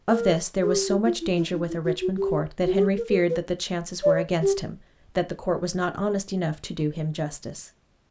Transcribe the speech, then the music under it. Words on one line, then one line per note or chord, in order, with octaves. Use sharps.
Of this, there was so much danger with a Richmond court, that Henry feared that the chances were against him; that the court was not honest enough to do him justice.
A#4
G#4
G4
F#4
F4
E4
E4
D#4
E4
F#4
F#4
G4
F#4
G4
G#4
A#4
B4
A#4
B4
D5
C#5
G4